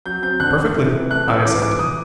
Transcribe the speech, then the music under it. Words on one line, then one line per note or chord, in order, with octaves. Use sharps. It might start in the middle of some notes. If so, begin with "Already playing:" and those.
"Perfectly," I assented.
F#3 G6
C4 G6
D3 F#6
D3
C3
E3
A3 F#6
E3 E6
E3 D6
E3 D6
E3 D#6